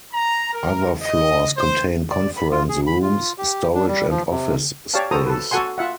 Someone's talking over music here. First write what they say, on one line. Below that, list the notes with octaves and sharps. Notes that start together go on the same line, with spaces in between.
Other floors contain conference rooms, storage and office space.
A#5
A#4
D#5
C5
D5
B5
F4
G#4
B5
F4
G4
D4
G3
F3
C3
G4 C#5 D5 F5 A5
F#4 A4 C5 A#5 D#6
A4 B4
F#4 A4 F#5 G#5 C6
F4 E5 F#5